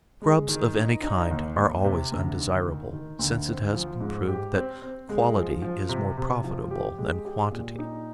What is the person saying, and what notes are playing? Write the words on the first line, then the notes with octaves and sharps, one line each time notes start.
Scrubs of any kind are always undesirable, since it has been proved that quality is more profitable than quantity.
G#3
D#3
D#4
D#4
D#2
D#2
C3
D2
D#3
D#3
D#3
D2
C4
F3
G#2
G4
C4
C4
G#3
F3
F3
C3
C3
F3
G4
G#3
G4
A#2
D#4